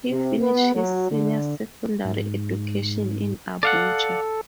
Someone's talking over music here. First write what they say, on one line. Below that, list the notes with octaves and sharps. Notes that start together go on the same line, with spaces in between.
He finished his senior secondary education in Abuja.
C3
B3
F#3
D3
G#2
A4 D5 F5 F#5